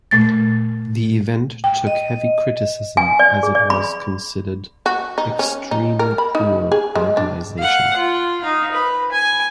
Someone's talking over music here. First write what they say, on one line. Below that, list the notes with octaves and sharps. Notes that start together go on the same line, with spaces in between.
The event took heavy criticism as it was considered "extremely poor organization".
A#2 A3 A6
G5
D#5
G#5
D5
G#4
D5
B5
F#4
D#4
C#4
D#4
A#4
B5
D#4
G#4
G#3
D4
F5 F#5
F4
D#4 F5
B4
G#5